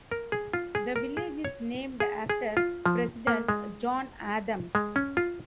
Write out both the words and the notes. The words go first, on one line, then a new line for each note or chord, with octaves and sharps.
The village is named after President John Adams.
A#4
G#4
F4
G#4
A#4
G#4
C#5
G#4
G#4
F4
F3
A#3
G#3
G#3
C#4
F4